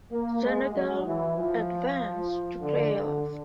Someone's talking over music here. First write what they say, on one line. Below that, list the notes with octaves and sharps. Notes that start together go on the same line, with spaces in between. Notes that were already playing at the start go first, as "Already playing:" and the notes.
Senegal advance to playoff.
A#3
G#3
F#3
E3
F3
D3
D3